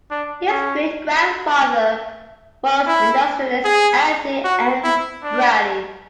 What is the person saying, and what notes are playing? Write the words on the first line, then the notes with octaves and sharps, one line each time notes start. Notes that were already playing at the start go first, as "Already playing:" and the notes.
His great-grandfather was industrialist Anthony N. Brady.
D4
C#4
E4
G#4
F#4
E4
D4